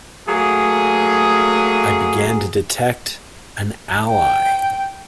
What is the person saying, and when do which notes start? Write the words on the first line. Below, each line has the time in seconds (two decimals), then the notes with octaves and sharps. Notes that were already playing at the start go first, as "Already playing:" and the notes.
I began to detect an ally.
0.27 F#3 A3 A#3 G#4
4.09 G5